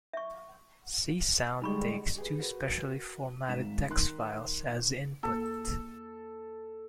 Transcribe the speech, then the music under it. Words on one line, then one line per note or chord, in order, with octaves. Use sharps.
Csound takes two specially formatted text files as input.
E5 C#6
D3 G3 G#3 D#4 B5 C#6
G4 G#4 B4
F#4 A#4 B4
D#1 G#1 G#2 B6 E7
D#3 A#4 C6 F#6
E2 A#3 A4